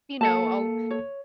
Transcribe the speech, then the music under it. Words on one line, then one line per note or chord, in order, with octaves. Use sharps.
you know, I'll
A#3 A4 A5 C#7
C#5